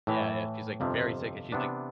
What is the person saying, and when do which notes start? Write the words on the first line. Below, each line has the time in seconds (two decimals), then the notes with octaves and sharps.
Yeah, yeah. She's like, very sick and she's like
0.07 A2 E3 A3 E4
0.80 G1 F2 C3 F3 C4
1.52 C3 E3 B3 D4